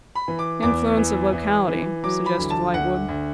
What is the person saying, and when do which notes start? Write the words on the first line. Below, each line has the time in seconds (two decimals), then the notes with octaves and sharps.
'Influence of locality,' suggested Lightwood.
0.15 B5
0.28 E3
0.39 D6
0.63 E2 D6
0.97 E3
1.32 E3
1.68 E3
2.04 F#3 D6
2.26 B5
2.38 D2
2.50 A5
2.73 D2 F#5
3.08 D2